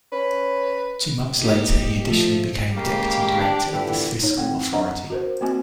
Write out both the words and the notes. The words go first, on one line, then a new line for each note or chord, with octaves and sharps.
Two months later he additionally became deputy director of the fiscal authority.
C#4 B4
A#3 D#4 G4
F3 A3
C#3 G#3 A#3 G4
D4
A#2 D3 E3
D#4 C#5
C4 F#5 G5
D4 D#5 F#5 A#5
F#4 A#4 C5
A#3 C4 F#4 G#5